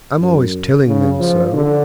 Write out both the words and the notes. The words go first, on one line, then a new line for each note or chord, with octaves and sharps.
I'm always telling them so.
F#2
C#3
F3
D3